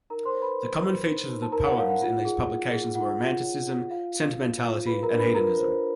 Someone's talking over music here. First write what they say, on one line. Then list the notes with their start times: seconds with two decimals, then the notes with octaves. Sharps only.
The common features of the poems in these publications were romanticism, sentimentality and hedonism.
0.10 D#4 A#4 A#5
0.25 C5 C6
0.34 C#5
0.41 B4 B5
0.58 C#5
0.81 D#4
1.05 D#4
1.29 D#4
1.42 A5
1.52 D#4 A#4 A#5
1.65 F#5
1.77 C#5 F5
1.89 F#5
2.01 F4
2.25 G#4
2.48 F4
2.72 G#4
2.95 F4 F#5
3.20 F4
3.43 C#5
3.67 F4
3.91 F4 F5
4.15 F4
4.39 F4
4.63 F4
4.86 G#4 B4 B5
5.03 A#4 A#5
5.11 D4
5.18 B4 B5
5.34 F4 A#4 A#5
5.58 C5